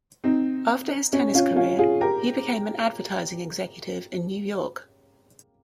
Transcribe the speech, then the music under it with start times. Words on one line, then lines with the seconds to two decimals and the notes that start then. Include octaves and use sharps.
After his tennis career he became an advertising executive in New York.
0.24 C4 D#4
1.13 C#4
1.34 C#4 F4
1.56 C#4 F4
1.79 F4 G#4
2.01 G4 A#4